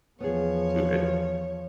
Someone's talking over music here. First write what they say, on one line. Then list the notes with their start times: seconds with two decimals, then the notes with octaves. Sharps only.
to ach
0.20 E2 F3 B3 G#4 C#5